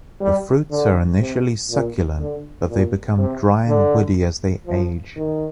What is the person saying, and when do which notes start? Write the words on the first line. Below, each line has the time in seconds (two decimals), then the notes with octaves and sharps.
The fruits are initially succulent but they become dry and woody as they age.
0.20 G3
0.70 D3
1.19 C3
1.69 A#2
2.19 D3
2.67 A#2
3.18 C3
3.67 D3
4.66 F3
5.16 D#3